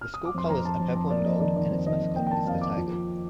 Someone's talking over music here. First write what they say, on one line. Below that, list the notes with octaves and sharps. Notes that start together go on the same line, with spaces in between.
The school colors are purple and gold and its mascot is the tiger.
F6
D#6
D6
F2 C6
F2 A#5
F2 A5
F2
F2 A5
A#3 D5
F2 D#5
D#3 D5
D#3 D5
F2
D#3 D#5
F2
A#3 G5
G5
A#3 A5
F2 F5
A#3 D6
F3
F3